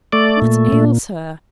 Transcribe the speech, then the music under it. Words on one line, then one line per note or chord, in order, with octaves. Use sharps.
"What ails her?"
A3 D5
A#2
A#2